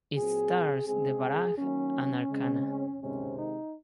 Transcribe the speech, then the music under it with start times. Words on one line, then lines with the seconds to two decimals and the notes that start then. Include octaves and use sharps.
It stars Devaraj and Archana.
0.16 A#2 F#3 C4 G#4
0.87 C#3 G#3 C4 G#4
1.58 D#3 F#3 A#3 C#4
2.30 C#3 G#3 C4
3.02 C3 D#3 G#3 C4 C#4
3.38 D#4